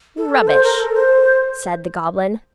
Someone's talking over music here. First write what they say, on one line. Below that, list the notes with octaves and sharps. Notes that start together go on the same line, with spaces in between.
"Rubbish!" said the Goblin.
A4
C5
A#4
A4
C5